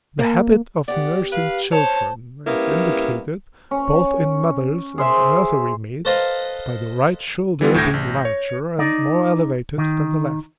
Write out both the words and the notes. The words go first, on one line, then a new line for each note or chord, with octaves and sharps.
The habit of nursing children is indicated, both in mothers and nursery-maids, by the right shoulder being larger and more elevated than the left.
A#3
B3 G4 D5 F#5
B4 F5
C5 C#5 A5
G3 A#3 B3 C#4 E4
C#4
G#4 C5 E5
A4 B4 C5 D#5 F5 A#5
E3 G3 B3 F4
D2 A2 A4 G6 G#6 A#6
A1
C#5
D#4 D5
D#3